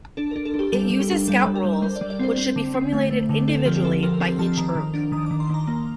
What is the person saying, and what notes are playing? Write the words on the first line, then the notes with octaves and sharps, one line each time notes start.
It uses Scout rules, which should be formulated individually by each group.
D4 A4
D4 A#4
A4
D4
G4
G3 A4
G3
G4
D4
G3 A4
G3
A#4
G3
G3 C5
D5
G3
D5
C4 C5
C4
D3
C4
A3
A3
D3
C4 A4
F3 G4
F3 A4
F3 A#4
C4
F3 A5
D#3 A#5
D#3
D4
D#3 D#6
D#3 D6
C6
D#3 A#5
A#3 A#5